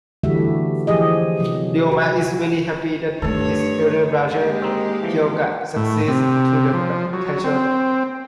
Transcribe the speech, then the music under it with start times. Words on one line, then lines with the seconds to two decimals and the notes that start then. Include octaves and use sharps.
Ryouma is very happy that his elder brother Hyuuga succeeds to the title.
0.23 D3 E3 G3 A3 F#4 E5
0.87 E3 F3 G4 G#4 D#5
1.40 C3 F#3
1.91 F#4
3.22 G2 D#3 A3 A4 C#5
4.32 D3 G#3 A#3 G4
4.62 C4 D#4
5.03 E3 F3
5.76 A2
6.08 C3
6.74 F3
7.13 F#3
7.44 C4